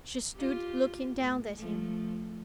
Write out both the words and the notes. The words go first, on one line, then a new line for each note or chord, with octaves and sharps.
She stood looking down at him.
F4 G4
A2
F3 A3